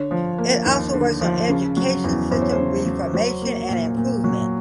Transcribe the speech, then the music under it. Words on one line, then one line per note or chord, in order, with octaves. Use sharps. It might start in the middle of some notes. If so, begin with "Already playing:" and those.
It also works on education system reformation and improvement.
Already playing: D3 C#5
F3
A#3
D#2
D3
F3
C#3
F#3
E2
E2 C5
C#5
C5
C#3
F#3
F#3 C5
A#3
A#2
A#2
F#3